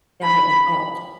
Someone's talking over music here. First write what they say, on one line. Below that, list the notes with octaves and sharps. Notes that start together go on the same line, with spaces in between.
down to the Gulf
B5